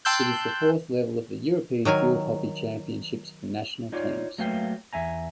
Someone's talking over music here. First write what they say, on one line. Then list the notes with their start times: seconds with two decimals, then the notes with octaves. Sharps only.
It is the fourth level of the European field hockey Championships for national teams.
0.05 G5 A5 C6 E6 F#6 G6
1.85 D#3 F#3 A#4 G#5
3.92 D#4 F4 C#5 D5
4.38 F#3 A3 A#3 B4 F5 G5
4.93 E2 E5 G#5 A#5